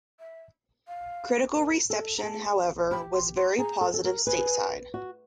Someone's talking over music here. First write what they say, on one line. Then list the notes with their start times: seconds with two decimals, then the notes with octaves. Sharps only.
Critical reception, however was very positive stateside.
0.20 E5
0.88 F5
1.56 A#4
1.90 A4
2.18 A#5
2.23 G#4 A5
2.91 G4 B5
3.14 C6
3.37 C6
3.58 G#4 A#5
3.81 A4
3.94 A4
4.04 A#4
4.27 B4 G#5
4.94 F#4